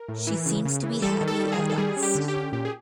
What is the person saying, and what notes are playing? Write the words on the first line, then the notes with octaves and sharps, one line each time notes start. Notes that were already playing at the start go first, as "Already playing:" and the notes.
She seems to be happy at last.
Already playing: A#4
A2
E3
C#3
C#3
E3
G3 A4
D#3
A4
G3
A4
G#4
D#3
A4
G3 G#4
C#4
G4
D3
G4
C#4
A#2 G4
G#4